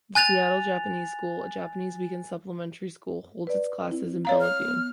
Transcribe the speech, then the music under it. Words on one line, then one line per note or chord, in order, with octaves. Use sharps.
The Seattle Japanese School, a Japanese weekend supplementary school, holds its classes in Bellevue.
G#5 F#6 A6 F7
B4 D5
C4 E4
C#5 F5 A#5
F6
B3